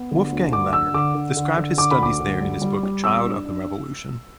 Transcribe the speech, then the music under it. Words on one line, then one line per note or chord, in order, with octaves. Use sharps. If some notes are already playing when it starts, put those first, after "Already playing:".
Wolfgang Leonhard described his studies there in his book "Child of the revolution".
Already playing: B3
D3
D2
D3 D6
D4 E6
D3 D6
D3
D3
D3
D3 D6
B5
D2 D6
D3
G3
G3
G3
B3 E6
D4
D4